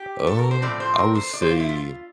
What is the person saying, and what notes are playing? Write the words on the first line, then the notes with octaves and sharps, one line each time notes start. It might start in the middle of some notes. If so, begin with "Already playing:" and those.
U um, I would say
Already playing: G4
A4
A#4
C5
A2 F3 C4 D5
C5
A#4
C5
D5
C5
F4
E4
F4